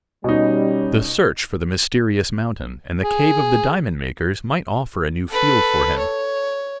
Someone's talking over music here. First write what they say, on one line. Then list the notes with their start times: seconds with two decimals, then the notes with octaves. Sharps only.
The search for the mysterious mountain, and the cave of the diamond makers, might offer a new field for him.
0.24 B2 G3 C#4 D#4
3.03 G#4
5.30 A4 B4
5.98 C#5